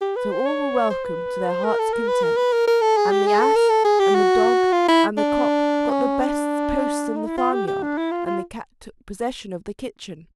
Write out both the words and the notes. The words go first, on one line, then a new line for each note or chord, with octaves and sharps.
So all were welcomed to their heart's content, and the ass and the dog and the cock got the best posts in the farmyard, and the cat took possession of the kitchen.
G4
B4
C5
C#5
C5
B4
C5
A#4
A4
A#4
B4
A#4
B4
A#4
A#4
A4
G#4
G4
G#4
A4
A#4
A4
G#4
G4
F#4
F4
E4
D4
C#4
D4
D#4
E4
F4
G4
G4
D4
E4
F4
F4